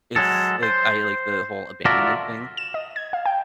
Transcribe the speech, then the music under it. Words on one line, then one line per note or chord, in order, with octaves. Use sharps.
it's like, I like the whole abandonment thing.
F#3 G#3 A4
C5
F4 F#4 A4 A#4 D5 E5
E7
D#5
G#6
F5
G5